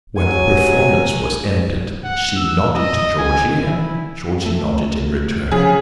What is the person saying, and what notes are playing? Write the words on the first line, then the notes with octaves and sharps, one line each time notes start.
When the performance was ended she nodded to Georgie, and Georgie nodded in return.
F#3 G#5
F#5
E6
D#5
G#5
E4
A3
C#3 F3 G#4